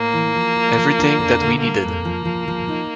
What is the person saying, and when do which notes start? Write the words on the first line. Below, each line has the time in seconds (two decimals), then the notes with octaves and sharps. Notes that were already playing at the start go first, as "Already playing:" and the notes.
Everything that we needed.
Already playing: A2 A#3
0.13 E3
0.35 F3
0.56 F3
0.78 F3
0.99 D4
1.20 F2
1.41 D3
1.63 G3 A#3
1.83 F2
2.05 F3
2.25 F3
2.48 F3
2.68 D#4